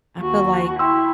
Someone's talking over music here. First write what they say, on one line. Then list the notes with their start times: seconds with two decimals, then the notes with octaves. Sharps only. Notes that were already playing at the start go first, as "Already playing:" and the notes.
I feel like
0.18 D#2 F#4
0.79 E4 G5 C6 E6